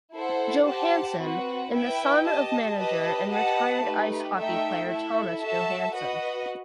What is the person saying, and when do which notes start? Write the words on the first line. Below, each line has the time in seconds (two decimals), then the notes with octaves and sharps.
Johansson in the son of manager and retired ice hockey player Thomas Johansson.
0.13 E4 A4 C5 F#5
0.66 G4 C5 F#5 A5
1.18 C4 F#4 B4 F#5
1.71 E4 B4 E5 G5
2.24 G4 D#5 A5
2.77 G4 B4 D#5 A5
3.29 G4 B4 D#5 F#5 A5
3.82 A3 D#4 G4 B4
4.35 A3 D#4 A4 E5 G5
4.87 E4 A4 E5
5.40 F#4 A4 E5 A5
5.93 F#4 B4 D#5 F#5